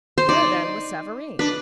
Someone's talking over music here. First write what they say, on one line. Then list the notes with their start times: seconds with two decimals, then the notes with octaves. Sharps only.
Where, then, was Savareen?
0.18 C5
0.29 D#4 D5
1.39 D4 B4